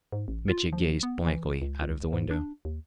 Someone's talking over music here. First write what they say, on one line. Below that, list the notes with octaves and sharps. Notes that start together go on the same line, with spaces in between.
Mitya gazed blankly out of the window.
G#2
A1
F4
F3
B3
E3
C#2
C#2
G#2
D4
D#2